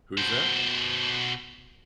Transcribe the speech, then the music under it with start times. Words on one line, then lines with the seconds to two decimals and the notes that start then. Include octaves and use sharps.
Who's that?
0.18 B2 C5